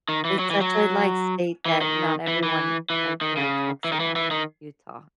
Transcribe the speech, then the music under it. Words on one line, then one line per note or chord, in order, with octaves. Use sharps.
It's such a like state that not everyone, I feel like, talks about- Utah.
D#3
E3
F#3
E3
F#3
E3
D#3
E3
E3
E3
D#3
C#3
E3
D#3
E3
E3
D#3